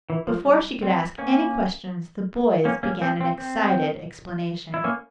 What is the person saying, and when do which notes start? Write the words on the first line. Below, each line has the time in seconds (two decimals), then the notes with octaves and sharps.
Before she could ask any questions, the boys began an excited explanation.
0.10 E3
0.27 F3
0.45 G3
0.82 C4
1.18 A#3 C#4
2.65 A#3 C#4
2.83 A#3 C#4
3.02 C4
3.21 C4
3.38 C4
4.74 E4
4.84 A#3 C#4